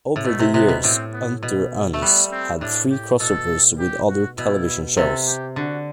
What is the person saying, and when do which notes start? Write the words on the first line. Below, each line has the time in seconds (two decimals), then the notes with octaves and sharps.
Over the years, "Unter Uns" had three crossovers with other television shows.
0.16 A2
0.25 B2 A3
0.39 C3
0.54 C3 B3
0.68 B2
0.83 A2 C4
1.13 B3
1.43 B2
1.94 A3
2.01 G3 B3
2.32 C4
2.61 A2 D4
2.90 G4
3.19 B2 A4
3.79 G4
4.08 F#4
4.38 B2 E4
4.97 C3 A4
5.27 G4
5.56 D3 F#4